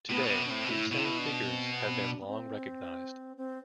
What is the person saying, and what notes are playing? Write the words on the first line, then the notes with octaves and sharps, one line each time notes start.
Today, these same figures have been long recognized.
A2 B3
B2
C3 B3
B2
D4
A2 C4
B2
A2 E4
B2 E4
C3
B2
D4
D4
C4
B3
C4
D4
B3
C4
C4